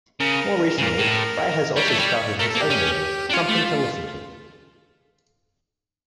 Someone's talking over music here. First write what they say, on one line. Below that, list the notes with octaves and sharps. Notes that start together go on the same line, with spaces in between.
More recently, Fryer has also started his own label, Something To Listen To.
C#3 A#4
C#3
A#2 A#4
A2
G3 C#5
A3 C#5
G3
A3 A#4
A4
A#3
G4
C#4
D4
C#4 F4
A3